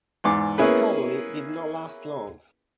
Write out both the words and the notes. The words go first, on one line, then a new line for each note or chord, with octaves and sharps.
The colony did not last long.
E2 G#2 D6
A#3 B3 C#4 E4 G#4 B4